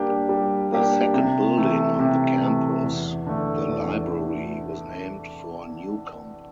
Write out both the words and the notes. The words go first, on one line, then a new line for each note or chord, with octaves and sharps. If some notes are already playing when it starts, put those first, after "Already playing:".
The second building on the campus, the library, was named for Newcomb.
Already playing: G3 A#3 D4 G4
G3
A#3 D4 G4
C3
E3 A3
C3
E3 A3
E2
D3 A3
E2